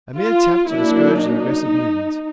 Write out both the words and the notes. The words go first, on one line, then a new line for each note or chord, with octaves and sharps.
A mere tap to discourage an aggressive movement.'
F4
F#3 A#3 D4 E4
D#4